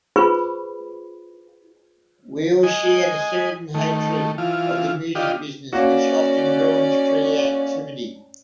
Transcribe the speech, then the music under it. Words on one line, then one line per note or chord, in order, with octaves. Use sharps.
We all shared a certain hatred of the music business which often ruins creativity.
F4 G#4 B4 C5 B5 C#6
D#5 G#5
D#3 A3
E3 F4
D4 F4 G4 D#5
A#3 C#4 F#4 D5